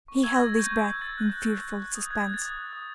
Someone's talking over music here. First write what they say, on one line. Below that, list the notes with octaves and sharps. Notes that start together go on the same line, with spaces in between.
He held his breath in fearful suspense.
C#6
E6 G#6
A#6
E6
G#6
C#6 G6
C#6 G6
E6 G#6
E6 A6
F#6
F#6
F#6
F#6
F#6
D#6
F#6 G#6
F#6
A6
D#6
F#6
D#6